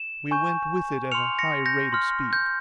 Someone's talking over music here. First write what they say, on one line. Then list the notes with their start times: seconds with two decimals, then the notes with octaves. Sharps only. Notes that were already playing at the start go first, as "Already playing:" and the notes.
We went with it at a high rate of speed.
Already playing: E7
0.31 G#5 C#6 G6
1.12 C6 F6 C#7 F7
1.39 A#6 C#7
1.66 G6 A#6
1.93 C6 F6
2.33 G6